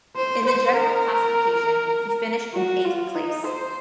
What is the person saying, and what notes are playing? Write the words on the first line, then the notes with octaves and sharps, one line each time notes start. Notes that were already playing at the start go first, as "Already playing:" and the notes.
In the general classification, he finished in eighth place.
C5
C5
A#4
F#4
F4
D#4
C5